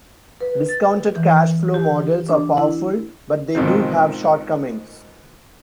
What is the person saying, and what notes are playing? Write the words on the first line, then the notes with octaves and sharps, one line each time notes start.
Discounted cash flow models are powerful, but they do have shortcomings.
B4
A6
E3
G4
D4
E4
G#2 B2 D#3 F3 C4